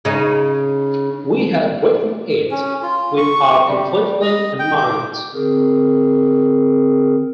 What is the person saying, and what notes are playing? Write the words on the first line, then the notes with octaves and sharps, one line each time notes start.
We had written it with her completely in mind.
C#3 D#4
C#4
F4
C#6
G3
D#5
G5
D6
D3 C4 G#4 A#4